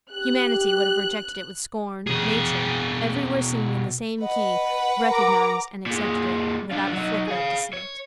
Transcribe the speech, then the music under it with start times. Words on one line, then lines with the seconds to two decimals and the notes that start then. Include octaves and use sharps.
Humanity would have rejected it with scorn, Nature, everywhere singing in the same key, recognised and accepted it without a flicker of dissent.
0.12 G4 F#6
2.07 B2 G#4
4.21 B4 D#5 F#5
5.09 A#4 A#5 D6
5.86 A#2 G#3
6.72 D4 F4
6.93 F#3 D#4
7.27 G#4 F5
7.73 C#5